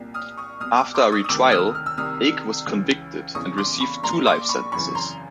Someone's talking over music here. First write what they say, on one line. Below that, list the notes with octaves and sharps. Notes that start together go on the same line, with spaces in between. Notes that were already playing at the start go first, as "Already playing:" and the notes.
After a retrial, Ake was convicted and received two life sentences.
Already playing: C2 A#2
D#6 F6
C#6 D#6
C2 B2 D#6 F6
D6 E6
C6 D6
C#6 D#6
D#6
D2 C3 D#3 D6 E6
D#6 F6
F6
E6
C2 C3 D#3 D#6 F6
C#2 C#3 E3
F1 E2 C#3 E3 C#6 D#6
C6 D6
B5 C#6
A#1 A#2 A#5 C6
C6 D6
B5 C#6
G#1 F#2 C#3 E3 B5 C#6
A#5 C6